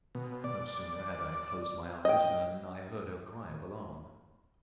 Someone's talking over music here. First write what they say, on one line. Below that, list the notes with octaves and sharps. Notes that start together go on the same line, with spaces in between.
No sooner had I closed my eyes than I heard her cry of alarm.
B2
D5
D#5 G5